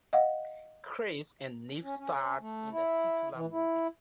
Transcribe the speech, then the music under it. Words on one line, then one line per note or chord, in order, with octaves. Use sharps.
Chris and Neef starred in the titular movie.
D#5 F5 F#5
C#4
C#4
A3
E4
E3
E4